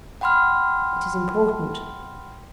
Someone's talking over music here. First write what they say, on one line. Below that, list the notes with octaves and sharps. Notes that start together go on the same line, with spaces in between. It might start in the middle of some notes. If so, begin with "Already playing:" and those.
It is important.
F#5 G5 B5 C6 F6